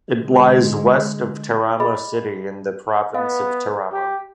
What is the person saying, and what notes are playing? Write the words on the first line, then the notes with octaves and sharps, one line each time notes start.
It lies west of Teramo city, in the province of Teramo.
D3 G#3
G#4 D#5 B5
B3 D#5 F5
G4